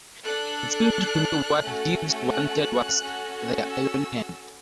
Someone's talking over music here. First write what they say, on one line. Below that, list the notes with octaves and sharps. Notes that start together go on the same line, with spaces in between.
It seemed to me that what Jeeves wanted was the iron hand.
D4 A4 F#6
A3 C#4 F#4 A4
F#6
C#4 F#4 A4
E6